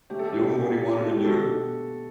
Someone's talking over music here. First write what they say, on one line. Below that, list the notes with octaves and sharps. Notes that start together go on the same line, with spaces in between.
Doing what he wanted to do.
A3 G4
A4
G4
B2 G4
B2 A4
G4
F#4 A4
B2